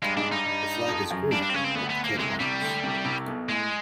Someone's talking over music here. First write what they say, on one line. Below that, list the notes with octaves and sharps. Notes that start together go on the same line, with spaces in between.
The flag is green like the coat of arms.
G2 G3 G#3
G#2 G#3 D4
G2 G3 D#4
G2 G3
F2 F3
F#2 F#3
G2 G3 D4
D4
C4
C#2 C#3 C#4
C4
D2 D3 B3
B3
A#3
C2 C3 G#3
C2 C3 G3
D2 D3
C2 C3
C2 C3
B1 B2
A2 G#3